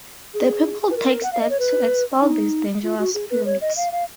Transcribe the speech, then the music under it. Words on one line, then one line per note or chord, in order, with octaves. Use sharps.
The people take steps to expel these dangerous spirits.
G#4
B4
A#4
F#5
F5
D#5
C#5
B4
D#4
F4
F#4
G#4
B4
C#5
D#5
F5
F5